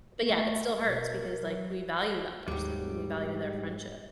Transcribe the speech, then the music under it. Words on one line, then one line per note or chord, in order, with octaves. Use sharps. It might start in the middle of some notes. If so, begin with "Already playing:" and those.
But yeah, it still hurts because, like, we value that person and we value their friendship.
A3
B2 A#4
F#3
D#2 G#2 F#3 G3